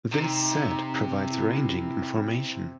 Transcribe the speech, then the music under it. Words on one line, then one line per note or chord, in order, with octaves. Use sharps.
This set provides ranging information.
C3 D#4
E4